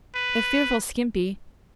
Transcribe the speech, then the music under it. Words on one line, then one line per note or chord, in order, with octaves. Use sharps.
They're fearfully skimpy.
B4